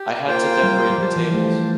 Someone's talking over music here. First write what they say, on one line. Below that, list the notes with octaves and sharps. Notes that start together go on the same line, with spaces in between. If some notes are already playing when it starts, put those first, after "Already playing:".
I had to decorate the tables.
Already playing: G4
A#3 F4 C5 G5
G3
G3
F3 G4 C5 F5 A5
E3
A3